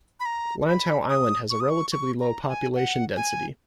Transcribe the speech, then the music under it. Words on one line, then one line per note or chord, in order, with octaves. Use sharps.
Lantau Island has a relatively low population density.
B5
A#5
B5
D#6
C#6
D#6
C#6
C#6
A#5
G#5
F#5
G#5